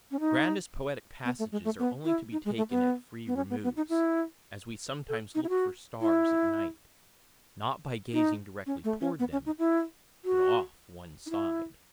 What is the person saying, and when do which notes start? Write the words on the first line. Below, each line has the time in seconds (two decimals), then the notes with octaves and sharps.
Grandest poetic passages are only to be taken at free removes, as we sometimes look for stars at night, not by gazing directly toward them, but off one side.
0.11 C#4
0.20 D#4
1.25 B3
1.39 A3
1.52 G#3
1.65 A3
1.79 B3
2.05 E4
2.32 D#4
2.45 G#3
2.57 A3
2.70 B3
3.27 B3
3.36 C#4
3.50 B3
3.63 B3
3.77 D#4
3.89 E4
5.09 A4
5.35 D#4
5.44 E4
5.49 F#4
6.01 E4
8.13 D#4
8.66 C#4
8.84 A3
9.01 C#4
9.19 B3
9.32 C#4
9.46 D#4
9.59 E4
10.25 F#4
11.26 D#4
11.30 E4